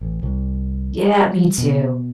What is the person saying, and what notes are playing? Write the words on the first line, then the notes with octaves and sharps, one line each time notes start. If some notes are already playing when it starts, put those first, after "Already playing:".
Yeah, me too.
A1
C2
G3
B2